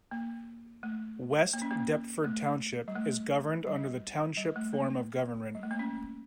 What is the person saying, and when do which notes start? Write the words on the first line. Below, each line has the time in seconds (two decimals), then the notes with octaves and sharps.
West Deptford Township is governed under the Township form of government.
0.11 A#3
0.83 A3
1.53 A#3
1.62 C#4
1.71 A#3
2.24 A3
2.88 G3
2.95 A3
3.67 G3
4.37 G3
4.56 A3
4.73 A#3
5.55 G3
5.63 A3
5.71 A#3
5.79 C#4